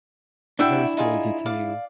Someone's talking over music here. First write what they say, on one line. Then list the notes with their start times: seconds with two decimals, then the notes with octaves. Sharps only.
A very small detail.
0.59 D4 E4 F#4 E5 G5
0.97 D#4 F4 G#4
1.46 D5 F5